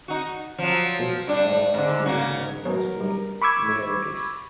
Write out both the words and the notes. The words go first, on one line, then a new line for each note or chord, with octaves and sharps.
His followers became known as Millerites.
D#4 F#4
F3 F#3
G2 G3 D4
G#2 D3
C#3 A#3 F#4
F#3 B3 A#4 C#5
G3
B5 C#6 D6 E6 G#6